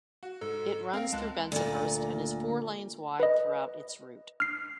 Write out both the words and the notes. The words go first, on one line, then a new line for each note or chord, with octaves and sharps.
It runs through Bensonhurst and is four lanes wide throughout its route.
F#4
G#2 A4
C4 A#4 F5
C#2 G#3 A5 F#6
D2 A#2
B4 D#5
F6 C7